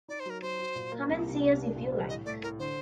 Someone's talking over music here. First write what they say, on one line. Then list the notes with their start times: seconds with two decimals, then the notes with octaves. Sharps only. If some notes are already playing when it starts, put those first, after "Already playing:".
Come and see us if you like.
0.08 D#4 D5
0.20 C5
0.26 F#3 A#4
0.42 F#3 C5
0.59 F#4
0.75 A#2
0.92 A#3
1.09 C2
1.26 C3
1.42 C2
1.59 D4
1.76 A#2
1.92 G3
2.09 A2 D#5
2.25 A3 D5
2.43 A2 A#4
2.59 D3 C5